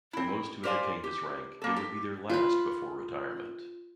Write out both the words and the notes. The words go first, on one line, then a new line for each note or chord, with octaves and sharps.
For most who had attained this rank, it would be their last before retirement.
C4 E4
G4 A#4 C5 D5 F5 G#5
G4
B2 A#3 A4
G4
F4 B4